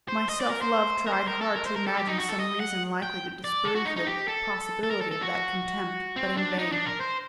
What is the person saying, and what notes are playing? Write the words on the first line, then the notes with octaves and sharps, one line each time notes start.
My self-love tried hard to imagine some reason likely to disprove the possibility of that contempt, but in vain.
C5
D#5
D5
A#4
C5
A#4
C5
A#4
A4
A#4
C5
A#4
A4
G4
D#4
F#4
A4
D#5
F#5
G5
D5
A4
F#4
D#4
D#4
G4
A4
A4
A#4
A4
A4
F#4
C4
D4
D#4
D4
A#4
C5